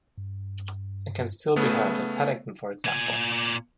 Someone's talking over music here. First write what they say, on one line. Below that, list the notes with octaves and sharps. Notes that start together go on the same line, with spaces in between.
It can still be heard, at Paddington for example.
G2
C#3 A3 B3
A#2 G#5